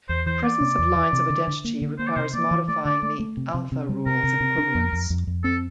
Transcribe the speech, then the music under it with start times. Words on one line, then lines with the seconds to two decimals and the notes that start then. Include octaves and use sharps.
The presence of lines of identity requires modifying the "alpha" rules of Equivalence.
0.09 E2 C5
0.26 E3 C5
0.44 A#3 D5
0.61 C3
0.79 E2
0.95 E3
1.13 C3
1.30 D3
1.48 D3
1.64 A#3
1.82 D3
1.99 A#3 C5
2.07 D5
2.16 C3 C5
2.33 A#3 D5
2.51 E3
2.68 A3 D5
2.85 D3 D5
3.03 A3 D5
3.20 A3
3.37 C3
3.54 C3
3.72 C3
3.89 G3
4.06 C3 A#4
4.24 C3
4.40 C3
4.58 D4
4.75 F2
4.93 F2
5.10 F2
5.27 F2
5.44 C4 A4